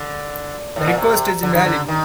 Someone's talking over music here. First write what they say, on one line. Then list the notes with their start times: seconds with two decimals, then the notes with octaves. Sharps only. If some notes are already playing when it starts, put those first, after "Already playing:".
The request is invalid.
Already playing: D3
0.76 A2
0.86 A#2
0.97 C3
1.43 D3
1.54 D#3
1.65 D3
1.88 D#3